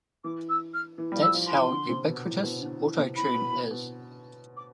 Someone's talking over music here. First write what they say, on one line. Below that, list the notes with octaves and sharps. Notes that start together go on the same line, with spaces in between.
That's how ubiquitous Auto-Tune is.
E3 D6
E6
F6
E3
G3
F3
E6
F3
C6
E3
D3
C3
B2
A2
B2
D3
E3
C3
A2 B5
B2
B2
B2
D6